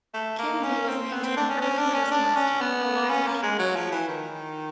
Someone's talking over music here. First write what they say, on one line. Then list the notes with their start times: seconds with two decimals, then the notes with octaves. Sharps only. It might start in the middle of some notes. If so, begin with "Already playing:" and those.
Kinsey was named for an early postmaster, Eliza Kinsey.
0.14 A3
0.39 A#3
0.63 C#4
0.88 C4
1.12 B3
1.24 C4
1.37 D4
1.50 C#4
1.62 C#4
1.78 D4
1.94 C#4
2.11 D4
2.36 C#4
2.61 B3
3.10 C#4
3.27 A#3
3.43 G#3
3.59 F#3
3.76 F3
3.92 E3
4.09 D#3